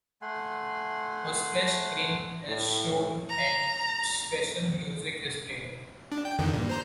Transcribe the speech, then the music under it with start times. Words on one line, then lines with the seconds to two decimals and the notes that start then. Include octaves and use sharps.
A splash screen is shown and special music is played.
0.22 A3 F#5 G#5 C6
2.48 A2
3.29 A#5
6.12 D4
6.25 G5
6.39 F2 D3 D#3
6.53 G2 A#2
6.69 C5 A#5 G6